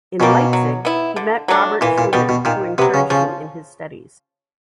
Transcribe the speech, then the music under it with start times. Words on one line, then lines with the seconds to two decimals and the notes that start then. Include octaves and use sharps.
In Leipzig he met Robert Schumann, who encouraged him in his studies.
0.20 B2 G3 A#3 C#4
0.53 F#3
0.85 B3 E4
1.16 D3
1.48 F#3 A3 D4
1.81 A#2 E3
1.98 A#2
2.13 B2 G3 B3
2.29 B2
2.45 A#2 D#3
2.78 C3 F#3 B3
2.94 C#3
3.10 C#3 F3